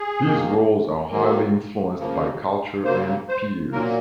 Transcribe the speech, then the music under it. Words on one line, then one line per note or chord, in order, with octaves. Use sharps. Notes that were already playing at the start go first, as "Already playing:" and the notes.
These roles are highly influenced by culture and peers.
Already playing: G#4
D#3 A#3
D#3 F#3 A#3
C#3 F3 A#3
C#3 F#3 A#3 C5
C5
A#2 F#3 A#3 A#4